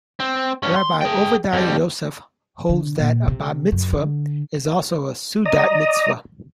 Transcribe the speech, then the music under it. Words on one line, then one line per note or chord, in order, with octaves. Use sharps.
Rabbi Ovadiah Yosef holds that a Bat Mitzvah is also a seudat mitzvah.
C4
G2 C#4
C6
G#4 G5
F2 G3
D3
A#2
C3
F#2
D3
D5 D#5 A#5 D#6